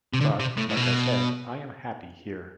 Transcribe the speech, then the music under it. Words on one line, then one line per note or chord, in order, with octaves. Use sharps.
But like I said, I am happy here.
C3
D3
C3
A2
A2
B2